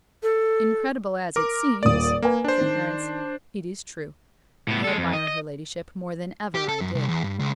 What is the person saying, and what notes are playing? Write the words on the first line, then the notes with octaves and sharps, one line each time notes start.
"Incredible as it seems," said Clarence, "it is true: I admire her ladyship more than ever I did."
A4
A#4 D6
D#1 A#3 D5 D#6
A#3 A#4 B4 G#5
D4 C5
D#3
A2 B3
G#3 A4
F2
D#5
D#5
G4
A4
F#2
C2
E2
G2
C#2